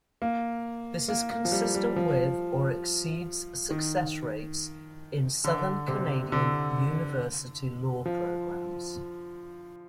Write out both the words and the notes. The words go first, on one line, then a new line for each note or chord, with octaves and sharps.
This is consistent with or exceeds success rates in southern Canadian university law programs.
A#3
A#3
A#3
F3
G3
G3
F3
D#3
D3
C3
D3
F3